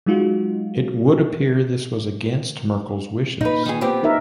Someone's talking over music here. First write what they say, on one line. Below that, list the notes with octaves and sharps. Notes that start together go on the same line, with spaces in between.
It would appear this was against Merkle's wishes.
F#3 G#3 D#4 F4 F#4
A#2 D#4 B4
D#3 G#4
B3 C4 G4
D#4 A#4 E5